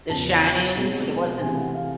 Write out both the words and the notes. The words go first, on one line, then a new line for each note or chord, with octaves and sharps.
The Shining, but it wasn't
E2 C#3 F3 A5
B2 G#3 C4
C3 E3 A3 G#5
F#5
F5